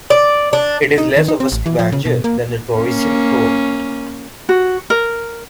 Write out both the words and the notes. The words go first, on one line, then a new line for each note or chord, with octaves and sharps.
It is less of a scavenger than the Torresian crow.
D5
D4
D#4
D#3
D#4
C4
A1
E3
F3
C#3
B2
A#3
A#3 C#4
F#4
A#4